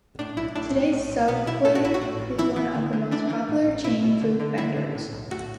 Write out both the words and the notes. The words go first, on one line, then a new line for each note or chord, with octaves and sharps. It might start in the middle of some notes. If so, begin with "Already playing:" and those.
Today, Subway is one of the most popular chain food vendors.
A2 D4
B1 E4
A2 D4
B1
A2
B1
B2 B3
B2 E4
A2 A4
F#4
A1 E4
F#4
A2
A1
E3 E4
E3
D3
D3
E3 D4
E3
A2
A1
B2 E4
B2
D3
D3
D3 E4
D3
A2
B1
A2 F#4